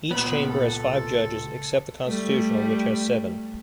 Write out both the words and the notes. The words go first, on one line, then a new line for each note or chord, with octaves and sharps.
Each chamber has five judges, except the constitutional, which has seven.
C#2 A#2 B3 B5
A4
G3 A3